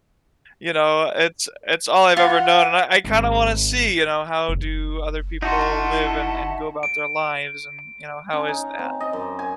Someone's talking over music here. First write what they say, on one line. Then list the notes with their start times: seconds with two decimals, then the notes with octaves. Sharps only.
you know, it's it's all I've ever known and I I kinda wanna see, you know, how do other people live and and go about their lives and, you know, how is that?
2.17 F4 F#5
3.04 G#1
4.49 F#1
5.42 D#4 E4 F#4 E5 F#5 A5 C6
6.83 D7
8.33 C#4
8.48 D#4
8.79 C4
9.00 D#5
9.13 F#2
9.39 G#5